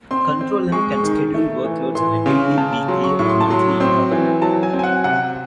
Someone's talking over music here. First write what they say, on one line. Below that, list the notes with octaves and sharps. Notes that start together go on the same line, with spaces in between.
Control-M can schedule workloads on a daily, weekly or monthly interval.
C4 C6
C4
G#3 C#6
C#6
D#3
A3
E3
E3 C6
C#3 C6
C#3 A5
A5
F#3 C6
C#6
A2 C#6
C6
A5
F#3 C6
C4 C6
E3
F#3 A5
G#5
C4
G#5
F#5
C3 F#5